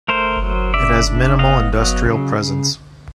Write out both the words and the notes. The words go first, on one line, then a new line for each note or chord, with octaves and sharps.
It has minimal industrial presence.
A3 A#4 C5
F#3
C#3 D5 E5
D4
B3 D#5 F5
F#3
C#3